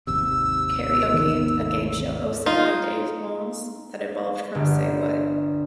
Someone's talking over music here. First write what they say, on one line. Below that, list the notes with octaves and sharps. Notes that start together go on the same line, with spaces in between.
Karaoke", a game show hosted by Dave Holmes that evolved from "Say What?
G#1 D#2 C3 E6
D#3
D#4 F4
G1